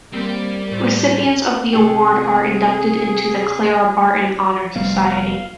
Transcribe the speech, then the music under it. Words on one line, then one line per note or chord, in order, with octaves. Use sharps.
Recipients of the award are inducted into the Clara Barton Honor Society.
G3 A#3 C4
A2 C5
C3 G#4 A4 G5
F1 G3 B3 F5